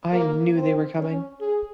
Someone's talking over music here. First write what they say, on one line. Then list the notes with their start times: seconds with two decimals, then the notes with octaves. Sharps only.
I knew they were coming.
0.12 A#3
0.55 C4
0.99 C#4
1.41 G#4